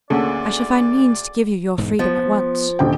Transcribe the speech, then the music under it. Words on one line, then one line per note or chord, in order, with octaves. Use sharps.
"I shall find means to give you your freedom at once."
D2 A#3 C#4 G#4 A4 D5 F#5
E1 G#2
F3 B3
D#1 D3 G5